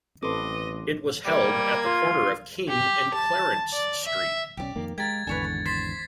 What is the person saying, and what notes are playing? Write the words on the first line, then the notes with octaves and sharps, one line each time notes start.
It was held at the corner of King and Clarence Street.
A1 C4 A4 B4 D#5 C6 D6
G3 A#3 G#6
F4
G4
A5
D5
E5
B1 E3 C#4 G4 D5
F2 D#3 A#3
G#3 G4 A#4 F5 G#6 A6
G#1 E2 D3 B4 C#5 G#5
F#5
C5 A6 B6 C7